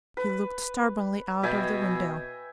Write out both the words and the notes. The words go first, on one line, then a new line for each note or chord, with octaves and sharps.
He looked stubbornly out of the window.
B4
B2 E5 G5 G#5